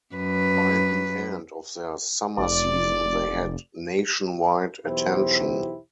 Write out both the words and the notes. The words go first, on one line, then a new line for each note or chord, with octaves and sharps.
By the end of their summer season, they had nationwide attention.
F#2 B4
F1 D5
B1 E2 B3 E4 G4 C5